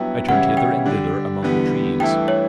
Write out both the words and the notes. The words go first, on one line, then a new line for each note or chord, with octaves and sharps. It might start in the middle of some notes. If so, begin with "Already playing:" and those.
I turned hither and thither among the trees.
Already playing: G2 F#3 B3 E4 G5
C#3 E3 G3 C#4 E4 F#5
G5
D3 G3 D4
E2 D3 G3 B3
G2 E3 A3 E4 G5
C#5